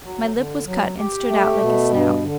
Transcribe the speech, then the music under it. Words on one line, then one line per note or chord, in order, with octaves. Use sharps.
My lip was cut and stood out like a snout.
F#3
D3
F#3
G4
A3
B2
G2
D3